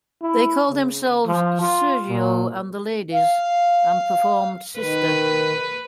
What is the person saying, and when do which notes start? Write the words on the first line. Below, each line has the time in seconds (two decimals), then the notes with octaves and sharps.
They called themselves "Sergio and The Ladies" and performed Sister.
0.22 E4
0.70 C#3
1.27 F3
1.61 F4
2.09 A#2
3.14 F5
4.80 D#3 B4